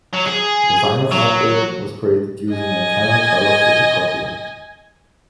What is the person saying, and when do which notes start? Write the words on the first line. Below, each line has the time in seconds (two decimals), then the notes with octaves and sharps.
The final artwork was created using a Canon colour photocopier.
0.13 F#3
0.27 G#4
1.11 F#3
2.53 D#5 G#5